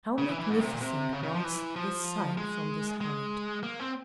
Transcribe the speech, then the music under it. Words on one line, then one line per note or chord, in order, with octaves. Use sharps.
How magnificent was the sight from this height!
C#3
E3
E3
G#2
C3
A#2
C3
C#3
C#3
F3
E3
F3
G#3
G#3
A#3
C4